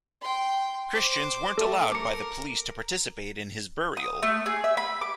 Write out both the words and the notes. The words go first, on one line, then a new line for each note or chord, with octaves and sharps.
Christians weren't allowed by the police to participate in his burial.
G5 C6
C5 D6
A3 A4
A#4 D6 C#7
D#6
A3
G#4
E5
B5
D6